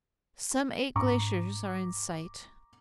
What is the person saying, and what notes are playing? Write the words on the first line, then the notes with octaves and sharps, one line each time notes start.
Some eight glaciers are in sight.
G#2 C#4 A#5 C#6 D6